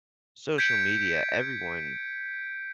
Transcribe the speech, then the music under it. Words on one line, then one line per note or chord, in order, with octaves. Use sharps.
social media, everyone
G6 G#6 B6 C#7 D7